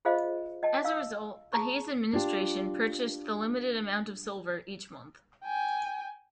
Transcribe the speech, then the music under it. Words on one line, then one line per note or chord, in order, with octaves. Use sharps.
As a result, the Hayes administration purchased the limited amount of silver each month.
F4 G#4 C5 D#5 F5
D#5 G5 A5
F5 E6
G#4 A5 A#5 C#6
D4 F4 G4
G5 G#5